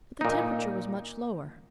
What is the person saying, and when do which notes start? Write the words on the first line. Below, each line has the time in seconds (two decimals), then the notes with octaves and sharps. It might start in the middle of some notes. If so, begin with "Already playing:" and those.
But the temperature was much lower.
0.21 A#2 D#4